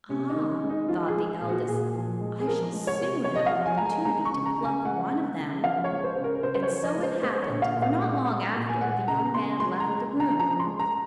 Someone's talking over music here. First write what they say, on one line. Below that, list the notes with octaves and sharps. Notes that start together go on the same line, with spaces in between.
"Ah," thought the eldest, "I shall soon have an opportunity to pluck one of them;" and so it happened, for not long after the young man left the room.
C3 C#4
D#4
D#3
C#4
G#3
D#4
F3 F4
G#4
G#3
A#2 G#4
F#4
A#2 G#4
F3
G#3
G#4
F3 A#4
G#3
C#5
C3
C3 C#5
D#5
F5
F3
G#5
G#3 A#5
G#5
G#3 A#5
C#6
C#3
A#5
C#3
G#5
G#3 F#5
G#3
C#3
F3 F5
C#5
G#3
C5
C#3
A#4
A#4
C#3 C5
C5
C#5
F3
D#5
G#3
C5
G#3 C5
C#5
A#2
F5
A#2
F5
G#3 F#5
G#3
A#2
G#5
G#3 F#5
C#3 A#5
C#3 C6
G#3 C6
A#5
G#3
C#3
A#5
F3 A#5
C6
G#3
A#5